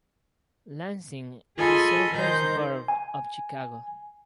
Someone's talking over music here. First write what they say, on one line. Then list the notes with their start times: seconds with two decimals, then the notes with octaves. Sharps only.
Lansing is a southern suburb of Chicago.
1.57 F4 G#4 A4 D#5 G#5 B5
2.12 D#3 D#4 C5 G6
2.88 G#5